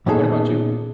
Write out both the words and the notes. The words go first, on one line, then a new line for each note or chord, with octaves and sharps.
What about you?
A#2 B3 C#4 D#4 G#4 A4